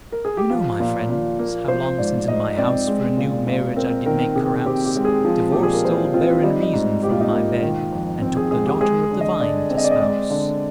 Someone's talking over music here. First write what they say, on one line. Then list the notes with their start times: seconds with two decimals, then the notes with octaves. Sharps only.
You know, my Friends, how long since in my House For a new Marriage I did make Carouse: Divorced old barren Reason from my Bed, And took the Daughter of the Vine to Spouse.
0.12 A#4
0.25 G#4
0.37 G4
0.50 F3 F4
0.80 A#2
1.10 A#2
1.39 A#3
1.68 F3 C5
1.98 G#2 D5
2.28 G#2 D#5
2.58 C4 D5
2.87 G#3
3.17 A#2
3.47 A#2
3.76 C4 A#4
4.06 D#3 A#4
4.35 C3 G#4
4.66 C4 G4
4.85 G4
4.96 G#3
5.05 G#4
5.25 F3
5.52 A#2 G4
5.63 G#4
5.74 A#4
5.84 A#2 C5
6.13 C4 F4
6.43 G3 D#4
6.63 D#4
6.73 G#2
7.03 G#2 G4
7.11 F4
7.21 D#4
7.29 A#3 F4
7.62 D#3
7.92 F2
8.21 C4
8.37 G#4
8.51 G#3 G#4
8.66 G4
8.81 G#3 G#4
9.11 D3
9.21 D#5
9.40 D3 D5
9.70 C4
9.77 D#5
9.84 D5
9.91 D#5
10.00 G#3 D5
10.30 D3